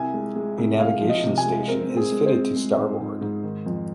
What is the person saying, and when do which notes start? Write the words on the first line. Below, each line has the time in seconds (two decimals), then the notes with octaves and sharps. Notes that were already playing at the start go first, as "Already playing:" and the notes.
A navigation station is fitted to starboard.
Already playing: C2 G#5
0.14 G#3
0.36 G#3
0.58 C2
0.79 C2 F5
1.01 F3
1.09 D#5
1.23 C3
1.38 G#5
1.45 G#3
1.68 C4 A#4
1.89 C4
1.97 G#4
2.12 G#3
2.26 C5
2.33 C4
2.56 G#3
2.78 G#2
3.00 G#2
3.21 G#2
3.43 D#3
3.66 F2